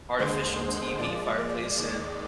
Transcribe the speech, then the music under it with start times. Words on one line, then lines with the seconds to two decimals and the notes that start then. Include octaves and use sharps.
artificial, TV fireplace and
0.18 D#2 D3 G#3 C5
0.99 A#2 F3 G#3 D5
1.39 D5
1.78 D#2 D#3 G#3